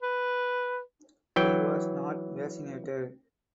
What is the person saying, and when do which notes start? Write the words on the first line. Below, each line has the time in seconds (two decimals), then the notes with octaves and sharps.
He was not vaccinated.
0.02 B4
1.36 E3 F#3 G5